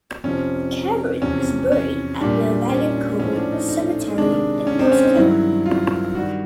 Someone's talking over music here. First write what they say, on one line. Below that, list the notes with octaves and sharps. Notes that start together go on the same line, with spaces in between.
Kaverin is buried at the Vagankovo Cemetery in Moscow.
F2 C3 F3 C#4
E2 C3 F3 C#4
C#4
A#2 G3 D4
C#4
A2 F3 A3 C#4
D4
D#4
D#4
C3 D#3 G#3 D4
C#4
C4
C#4
D#4
G2 D#3 F#3 E4
F4
G2 D#3 G3 F#4